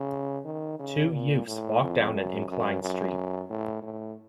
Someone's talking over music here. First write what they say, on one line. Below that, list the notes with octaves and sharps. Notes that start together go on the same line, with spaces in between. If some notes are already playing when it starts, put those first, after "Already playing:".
Two youths walk down an inclined street.
Already playing: C#3
D#3
C#3
A#2
A2
F2
F#2
F#2
F#2
A2
A2